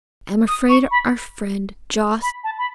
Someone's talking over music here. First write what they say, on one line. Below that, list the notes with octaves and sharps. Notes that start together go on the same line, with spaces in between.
I am afraid our friend Jos.
D#6
C#6
B5
B5
A5
B5